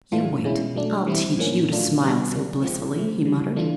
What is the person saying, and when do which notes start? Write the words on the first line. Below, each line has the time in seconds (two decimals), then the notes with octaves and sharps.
"You wait; I'll teach you to smile so blissfully," he muttered.
0.12 A2 E3 A3 D4 F4
0.44 B2 G#3 C#4 E4
0.75 F#3 A3 D4
1.07 E3 G3 C4 E4
1.37 A2 F3 A#3 C#4
1.68 A#2 F#3 A3 D4 F4
2.00 D#3 G3 B3
2.31 D3 F#3 A#3 D4
2.62 F3 G#3 C4 F4
2.94 C3 F3 A3
3.25 C#3 E3 G3
3.56 E3 A3 D4 F4